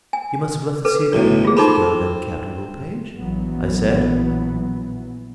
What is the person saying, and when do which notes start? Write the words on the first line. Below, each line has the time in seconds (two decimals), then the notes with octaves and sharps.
"You must have left the sea a good many years ago, then, Captain Littlepage?" I said.
0.13 G#5
0.85 A4 B4
1.13 B1 A2
1.45 F4 G#4
1.57 C4 D#4 A4 B5
3.15 A#1 E3 F#3 B3